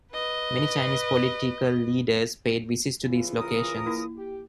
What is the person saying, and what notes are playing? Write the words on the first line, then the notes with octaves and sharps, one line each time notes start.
Many Chinese political leaders paid visits to these locations.
B4 D#5
C#3 E3 F4
A#4 D#6
A#3 E4
G4